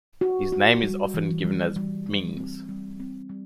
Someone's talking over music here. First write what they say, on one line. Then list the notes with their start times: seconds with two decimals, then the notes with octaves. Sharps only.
His name is often given as "Mings".
0.21 F#4
0.52 F#4
0.83 G3
1.14 E3
1.44 G3
1.76 G3
2.06 G3
2.37 C4
2.69 G3
3.00 C4
3.29 G3